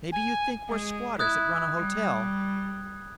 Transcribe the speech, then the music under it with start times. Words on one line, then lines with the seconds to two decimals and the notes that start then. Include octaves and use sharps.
"Maybe you think we're squatters that run a hotel?"
0.12 G#5
0.68 G#3 G#4
1.19 E4 D#6 F#6 G#6
1.76 G3